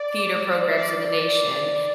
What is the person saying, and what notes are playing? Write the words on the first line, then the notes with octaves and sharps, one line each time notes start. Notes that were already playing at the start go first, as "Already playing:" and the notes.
theater programs in the nation,
Already playing: D5
E5
D5